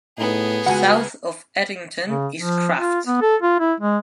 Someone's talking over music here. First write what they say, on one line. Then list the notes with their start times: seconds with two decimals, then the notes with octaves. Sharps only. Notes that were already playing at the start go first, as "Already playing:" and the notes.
South of Eddington is Krafft.
0.18 A2 B3 D#4 G#4
0.66 C#2 F#4 F#5 G#5
2.06 C#3
2.36 F3
2.76 F4
3.06 B3
3.21 A4
3.42 F4
3.59 E4
3.80 G#3